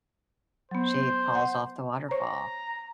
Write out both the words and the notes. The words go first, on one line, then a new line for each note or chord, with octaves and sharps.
she falls off the waterfall.
F#3 B3 C5
F#5
C5 C#5 A#5 C#6